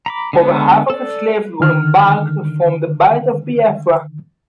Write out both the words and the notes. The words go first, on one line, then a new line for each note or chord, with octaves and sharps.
Over half of his slaves were embarked from the Bight of Biafra.
A#5 B5 D6
D3 G#3 B3
A4 D5
D3 D#3 F6